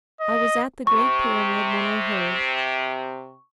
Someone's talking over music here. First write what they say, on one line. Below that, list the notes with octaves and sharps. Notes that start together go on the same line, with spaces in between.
I was at the Great Pyramid when I heard.
D#5
C3 C#6